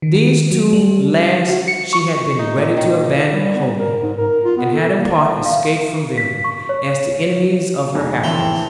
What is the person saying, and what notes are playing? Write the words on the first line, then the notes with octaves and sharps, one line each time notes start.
These two last she had been ready to abandon wholly, and had in part escaped from them, as the enemies of her happiness.
D#3
F#3
G3
F#4
C#7
C#6
D#4
A#2
D#3
G3
B3
G3
A#4
G#2
A#4
F4
B3
A4
A#3
E5
F5
B6
C#6
C#5
F2 G#2 D#4 G#4
A#1 E2 A2 E3 C4 A5